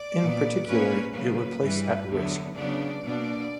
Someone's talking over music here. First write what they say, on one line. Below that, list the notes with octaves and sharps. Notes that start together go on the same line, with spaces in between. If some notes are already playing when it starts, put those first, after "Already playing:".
In particular, it would place at risk.
Already playing: D5
A#2 F#3 B3
A#2 A#3 C#4 B4
C#3 F#3 A#3 B4
G2 E3 G3
E2 D3 F#3 B3
C#3 F#3 B3 D4 D5
B2 A#3 D4